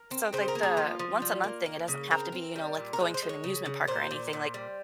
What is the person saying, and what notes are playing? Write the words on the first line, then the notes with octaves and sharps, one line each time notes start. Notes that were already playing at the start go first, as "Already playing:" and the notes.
so, like, the once a month thing, it doesn't have to be, you know, like, going to an amusement park or anything, like,
Already playing: A#4
C4
C#3 C5
A#4
A#3
G#4
F3 F4
F3
G3
A#3
A#3
C#3
C4 A#4
C4
G3
A#2
A#4
G#3 C5
C5
G#3
C#5
C#3
C#3
A#2 C5
A#2
A#2
G3